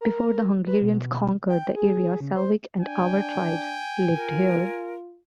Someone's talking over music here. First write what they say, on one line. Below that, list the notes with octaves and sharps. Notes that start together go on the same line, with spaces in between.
Before the Hungarians conquered the area, Slavic and Avar tribes lived here.
A#4
B4
B2
G5
G#4
C#3
C5
D4 G5 G#5
F4 A#4